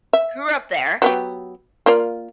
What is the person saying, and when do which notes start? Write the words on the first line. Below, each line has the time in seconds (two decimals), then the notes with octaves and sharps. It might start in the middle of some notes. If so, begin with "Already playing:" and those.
grew up there,
0.13 E5
1.02 F#3 B3 G4
1.86 A#3 F4 D5